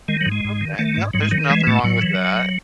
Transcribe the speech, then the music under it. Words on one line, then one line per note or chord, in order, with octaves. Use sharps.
Okay, well there's nothing wrong with that.
D#3 G#3
F#3
G#2
G#3
G#2
D#3
D#3 A3
G#2
G#2 F#3
G#3
D#3 F#3
E3 G#3
A2 A3
A2 F#3
E3